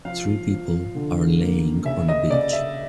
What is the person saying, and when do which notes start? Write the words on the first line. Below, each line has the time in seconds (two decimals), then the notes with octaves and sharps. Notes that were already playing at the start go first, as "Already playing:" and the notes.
Three people are laying on a beach.
0.05 F3 F5
0.51 F3
0.95 D3
1.41 A#3
1.85 C#3 E5
2.09 D#5
2.30 C#3 D5
2.53 E5